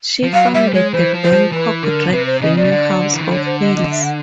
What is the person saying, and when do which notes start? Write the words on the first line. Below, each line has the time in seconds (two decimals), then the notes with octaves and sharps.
She founded the Bangkok drag venue House of Heals.
0.23 F3
0.34 F#3 F5
0.54 G3 E5
0.68 C5
0.73 G#3 C#5
0.93 E3 C5
1.14 F3
1.23 C5
1.33 F3
1.52 E3 B4
1.83 D3 A#4
2.12 C3 B4
2.26 C5
2.42 C#3 D#5
2.57 C3 D5
2.64 C#3
2.72 D3
3.14 E3
3.21 D#3
3.31 D3 C#5
3.46 C5
3.61 D#5
3.76 D#5
3.91 E5
4.03 F#5